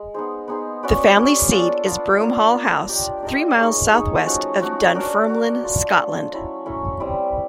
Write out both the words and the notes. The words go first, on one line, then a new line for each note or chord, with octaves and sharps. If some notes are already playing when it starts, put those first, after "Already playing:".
The family seat is Broomhall House, three miles south-west of Dunfermline, Scotland.
Already playing: G#3
B3 D#4 G#4 C5
B3 D#4 G#4 C5
C#4 F#4 B4 D5
C#4 F#4 B4 D5
B3 D4 F4 A4
B3 D4 F4 A4
A#3 D4 F4 A#4
A#3 D4 F4 A#4
D4 G4 A#4 D#5
D4 G4 A#4 D#5
D#4 G#4 C#5
D#4 G#4 C#5
F3 A3 C#4 F#4
F3 A3 C#4 F#4
D4 F#4 A#4
D4 F#4 A#4
A3 D4 F4
A3 D4 F4
F#3 A3 C#4 E4
F#3 A3 C#4 E4
G3 C4 E4